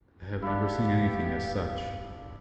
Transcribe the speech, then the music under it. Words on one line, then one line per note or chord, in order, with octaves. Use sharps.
I have never seen anything as such.
A3 B3 D4 E4 G4 F5